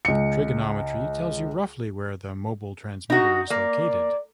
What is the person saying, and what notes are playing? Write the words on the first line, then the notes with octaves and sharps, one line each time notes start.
Trigonometry tells you roughly where the mobile transmitter is located.
C#2 C#7
D#4 F#4
A#3 D5